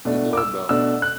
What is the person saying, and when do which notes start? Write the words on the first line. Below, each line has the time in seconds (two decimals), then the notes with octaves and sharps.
The door bell.
0.05 B2 A3 D4
0.33 D6
0.37 E6
0.69 B2 A3 D4 E6
1.02 F#6